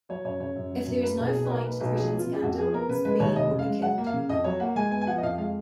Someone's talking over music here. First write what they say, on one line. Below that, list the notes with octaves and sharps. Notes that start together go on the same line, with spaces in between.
If there is no fight, threatens Gandil, Speed will be killed.
F#3 C#5
F#2 C#5
C#3 C#5
F#2
F#3
F#2
A#3 B4
B1
G#4
B2
B4
B1 A#4
A#3 B4
B1 B4
F3 G#4
B3
F4
C#3
G#4
F2 F#4
F3 G#4
B3 A#4
C#3 B4
G#3 B4
D#2 C#5
F1 D#5
C#3
F5
G#3
F#3 F#5
A#3
F5
C#3
F2 D#5
F#3 C#5
A#3 F#5
G#3 G#5
B3 G#5
G#5
F3 F#5
D#5
F2 F5
G#3 F5